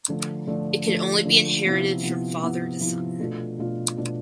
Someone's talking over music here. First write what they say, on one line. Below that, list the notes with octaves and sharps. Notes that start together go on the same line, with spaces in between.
It could only be inherited from father to son.
D3 F3 A3 D4
D3 F3 A3 D4
D3 F3 A3 D4
D3 F3 A3 D4
C3 F3 B3 E4
C3 F3 B3 E4
C3 F3 B3 E4
C3 F3 B3 E4
B2 A3 D4 F4
B2 A3 D4 F4
B2 A3 D4 F4